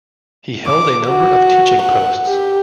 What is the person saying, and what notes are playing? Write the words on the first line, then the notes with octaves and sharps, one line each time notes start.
He held a number of teaching posts.
D6
F#4
F#5
G4